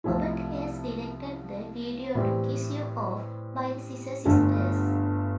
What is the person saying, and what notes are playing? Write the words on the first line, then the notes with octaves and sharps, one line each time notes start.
Robert Hales directed the video to "Kiss You Off" by the Scissor Sisters.
C2 C3 F3 A3 E4
A2 E3 G3 C4 G4
G1 G2 D3 A3